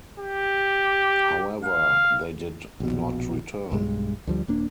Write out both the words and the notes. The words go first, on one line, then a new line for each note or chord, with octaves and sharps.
However, they did not return.
G4
F5
A#1 B2
B1 G2 G#3
D2 F3 G3
D#1 A#3 D4